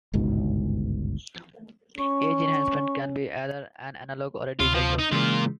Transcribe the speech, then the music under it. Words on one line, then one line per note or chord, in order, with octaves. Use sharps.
Edge enhancement can be either an analog or a digital process.
G1 C#2 G#2 B2
C#4 C#6
D2 C3 F4
F3 F4
D#4
A#2 C#3 E3 G#3 F4